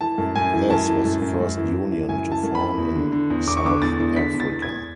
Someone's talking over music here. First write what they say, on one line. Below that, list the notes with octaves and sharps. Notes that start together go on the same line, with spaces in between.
This was the first union to form in South Africa.
E3 A5
F#2
F#2 G#5
E3
F#2 A5
E3
F#2
F#2
F#2
E3
E3
E3
F#2 G#5
E3
A5
F#2
B5
E3
E2
D3
D3
E2
E2 D6
C#6
D3 D6
E2 A6
E2
D3 B6
E2
A6
E2
G#6
E2